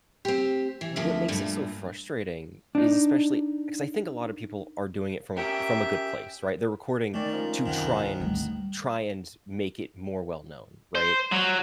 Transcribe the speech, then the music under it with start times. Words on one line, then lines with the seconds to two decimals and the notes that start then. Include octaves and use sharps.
Well, what makes it so frustrating is especially 'cause I think a lot of people are doing it from from a good place, right, they're recording to try and try and make it more well known, right?
0.25 C4 G4
0.81 E3
0.96 D2 F3 A#3 C4 E5
1.28 G2 A#2 A3
2.75 D4 D#4
5.37 C#4 G4 A#4 E5 G5
7.14 D#3 G#3 A3 C#4 A#4 D5
7.32 F3 C#4 A#4
7.66 C2 F#2 D#3 B3
8.20 G#1 D2 G3 A3
10.95 C5
11.32 F#3